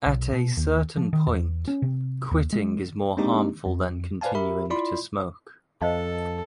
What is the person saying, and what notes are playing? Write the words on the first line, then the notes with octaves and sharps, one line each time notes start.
At a certain point, quitting is more harmful than continuing to smoke.
B1
B2
D#2
F3
D#3
E2
C#4
C3
D#2
G#3
G#3 A#3 C4 D4 D#4 G4
F2
B4 C5 D5 F5 G#5 A5
G4 A#4 E5 B5
E4 F4 D5 B5 C6
F2 A4 C5 D#5 F5 A5